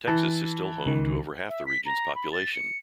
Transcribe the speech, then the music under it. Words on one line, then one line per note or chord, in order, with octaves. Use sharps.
Texas is still home to over half the region's population.
E3 A5
C#2 D#3
E5
B6
A#5
B5
A6
C#7